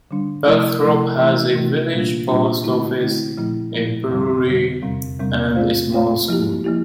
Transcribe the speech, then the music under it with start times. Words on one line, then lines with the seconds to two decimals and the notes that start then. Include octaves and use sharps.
Bugthorpe has a village post office, a brewery and a small school.
0.11 D3 G3 D4
0.46 C3 F3 A3 E4 A#4
0.83 C3 F3 A3 E4 A#4
1.19 C3 E3 A3 E4
1.55 C3 E3 A3 E4
1.93 A#2 G3 A#3 D4 F4
2.28 A#2 G3 A#3 D4 F4
2.64 D3 A3 C4 E4
3.00 D3 A3 C4 E4
3.37 A#2 F3 A3 E4
3.74 A#2 F3 A3 E4
4.09 F2 D3 G3
4.46 F2 D3 G3
4.82 E2 C3 G3 C4
5.19 E2 C3 G3 C4
5.55 A3 C4 F4 C5 F5
5.92 A3 C4 F4 C5 F5
6.28 F3 A#3 E4 G4
6.64 F3 A#3 E4 G4